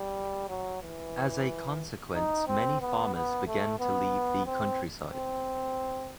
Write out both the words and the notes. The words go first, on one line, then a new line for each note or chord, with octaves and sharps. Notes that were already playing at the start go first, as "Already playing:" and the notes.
As a consequence many farmers began to leave the countryside.
Already playing: G3
F#3
E3
D#4
C4
B3
B3
A3
B3
C4
C4